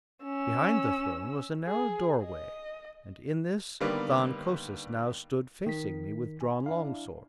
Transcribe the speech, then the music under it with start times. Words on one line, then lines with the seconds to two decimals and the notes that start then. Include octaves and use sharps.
Behind the throne was a narrow doorway and in this Than Kosis now stood facing me, with drawn long-sword.
0.24 C#4 E6
1.66 G#4
2.24 D#5
3.80 D3 D#3 G3 A#3 B3
5.66 D#3 B6
6.41 G#5
6.66 D4 E4 F5